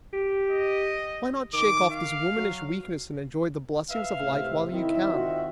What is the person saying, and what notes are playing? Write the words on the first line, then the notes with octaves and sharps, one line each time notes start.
Why not shake off this womanish weakness and enjoy the blessings of light while you can?
G4
D#5
D#3 D6
F5
F#3
B4 E5 F5
C#2 A2 C3
D#3 C4 E4 E5
C4 F4 F#4